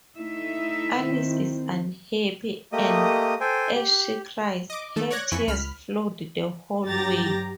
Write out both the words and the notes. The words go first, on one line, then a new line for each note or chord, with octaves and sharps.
Alice is unhappy and, as she cries, her tears flood the hallway.
A3 D#4 E4 E5
D#3 C4
A3 A#3 G4 D#5 D#6
A4 C5 G5 G#5
G4
D#5 D6
D#3 A3 A4
C#5 D5 F#6 G#6 A#6
F2 E3 G#5 C#6 B6
C#2 B5 F6
G2 F#3 G4 A#5 A6